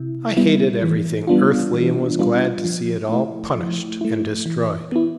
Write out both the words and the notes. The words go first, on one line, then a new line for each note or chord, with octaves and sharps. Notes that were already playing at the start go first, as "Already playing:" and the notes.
I hated everything earthly and was glad to see it all punished and destroyed.
Already playing: C3 E4
G3 B3 E4
E3
G3 B3 D4 F4
E3
G3 B3 D4 F4
F3
A3 E4
F3
A3 E4
E3
B3 E4